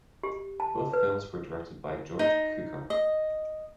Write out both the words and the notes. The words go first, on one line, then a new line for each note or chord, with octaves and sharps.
Both films were directed by George Cukor.
G4
A5
B4
D#4
D#5